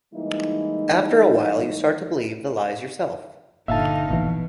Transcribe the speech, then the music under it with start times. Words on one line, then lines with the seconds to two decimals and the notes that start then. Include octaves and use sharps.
After a while, you start to believe the lies yourself.
0.14 E3 G3 G#3 A#3 D#4 E4
3.68 G1 A#2 D3 D#4 E5 F5 A5 F6
4.10 A#1 B2 E3